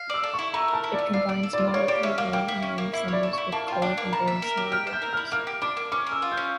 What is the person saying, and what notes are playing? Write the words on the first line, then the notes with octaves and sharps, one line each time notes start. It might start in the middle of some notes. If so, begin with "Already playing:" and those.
It combines moderately warm and rainy summers with cold and very snowy winters.
Already playing: F5
D5 E6
A4
C#6
E4
A3 A#5
A#4
A5
E4
A3 D5
D5 F5
D5
A4
F4 D5
D5
A#3 C#5
G4 D5
C#4 E5
A#3 F5
A#3 G5
E4
C#4
A#3
E4 E5
C#5 D5
A4
E4 C#6
A#3 A5
F4 G5
D4
A#3
A5 A#5
E5
A#4
G4
G5 F6
E5
G6
A#4
E4 F6
A#3 F6
G4
D4 D6
A#3
C#4 D6
A#4
E6
F4
G6
C#4